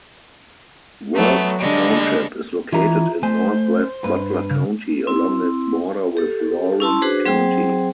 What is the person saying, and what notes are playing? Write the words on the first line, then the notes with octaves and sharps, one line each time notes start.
Worth Township is located in northwest Butler County, along its border with Lawrence County.
F#3 A3 B3
D3 G3 G#3
E3 F4 E5 A#5
A3 C5 G#5
G2 B4
C#3
C4 E4
G4 A4
C#4 E4 A5 C6
D4 F#4 G#4 B4 C5
F#3 C4 G#4 C5 G5